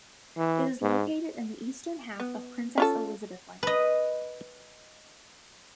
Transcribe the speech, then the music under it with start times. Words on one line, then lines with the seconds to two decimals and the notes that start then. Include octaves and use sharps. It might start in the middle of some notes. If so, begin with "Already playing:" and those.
It is located in the eastern half of Princess Elizabeth Land.
0.37 E3
0.82 G#2
2.20 B3
2.78 C#4 F4 A4
3.63 B4 D#5